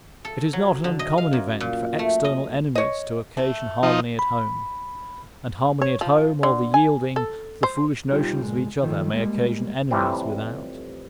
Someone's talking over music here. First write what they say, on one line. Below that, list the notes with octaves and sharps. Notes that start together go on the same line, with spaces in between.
It is not an uncommon event for external enemies to occasion harmony at home; and harmony at home, or the yielding to the foolish notions of each other, may occasion enemies without.
A4
F#3
D3
D#5
F5
F#2
A#2
A3
D#5
C#5 D#5
A3
F3 D#4
B5
C#5
F3
D3
G#5
A4
C5
B1 G3 D#4 F4 G4
C#2 G2 G#3
D#3 F3 A3
G3 G#3 A#3
F2 A2 C3 E3 G3 C4